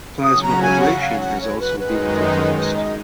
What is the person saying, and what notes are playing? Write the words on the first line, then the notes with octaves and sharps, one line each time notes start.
Plasma ablation has also been proposed.
C#3 F#3 C#4 F#4 D#6
A#5
G#5
F#5
F5
F#5
C#5
B4
F#2 D#3 G#3 D#4 B4
B4
D#5